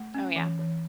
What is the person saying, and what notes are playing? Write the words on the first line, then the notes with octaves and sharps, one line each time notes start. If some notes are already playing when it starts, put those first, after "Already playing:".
Oh, yeah.
Already playing: A3
C#4
E3
E3